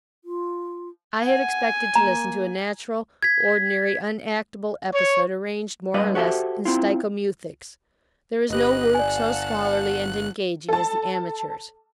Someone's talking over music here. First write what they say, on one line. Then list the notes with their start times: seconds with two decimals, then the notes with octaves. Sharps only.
I had expected to listen to a natural, ordinary, unactable episode arranged more or less in steichomuthics. There is no work so scholarly and engaging as the amateur's.
0.24 F4
1.22 F#5 G#5
1.96 A#3 A#5
3.23 G#6 B6
4.93 C#5
5.94 G3 B4 D#5 F5
6.15 F#4 G4 A4 C5 E5
6.65 C4 E4 F4
8.50 G1 G4 B4 D#5 F#6
8.95 D5 F5 F#5 G#5 A5
10.69 A4 A5